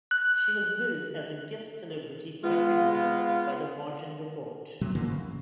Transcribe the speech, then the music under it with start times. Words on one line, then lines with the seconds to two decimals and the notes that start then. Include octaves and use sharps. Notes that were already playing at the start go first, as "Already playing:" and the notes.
She was billed as a "Guest celebrity contributor" by "The Morton Report".
0.11 F#6
2.43 G#3 B3 F4
2.75 F5
4.81 C3 F#3
4.95 G#2 D3 E3 A#3
5.07 C#3